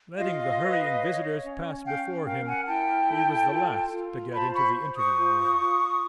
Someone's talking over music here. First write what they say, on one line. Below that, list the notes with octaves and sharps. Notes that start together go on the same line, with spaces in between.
Letting the hurrying visitors pass before him, he was the last to get into the interviewing-room.
F4 D#5 F5
B4
C#5
C#4
C#4 F5 G5
A#4 F5 G5
F#5 G#5
E4 G5 A5
A4
F4
F4
C5 A5 B5
B5 C#6
C5
C#6 D#6
F4
F4